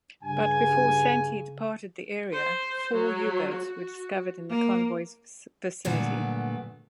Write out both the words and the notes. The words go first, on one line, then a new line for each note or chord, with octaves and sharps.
But before "Santee" departed the area, four U-boats were discovered in the convoy's vicinity.
G2 C#3 G#5
C5
F#3
F#4
A#3
A#2 D3 F#3 G3 A3 B3